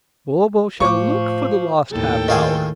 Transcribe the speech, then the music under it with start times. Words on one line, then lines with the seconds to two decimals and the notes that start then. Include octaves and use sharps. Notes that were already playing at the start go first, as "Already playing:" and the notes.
"Bobo shall look for the lost half-hour."
0.80 A2 F3 C#6 D6
1.92 D#2 A2 A4 G5
2.28 D#3 F4 G#4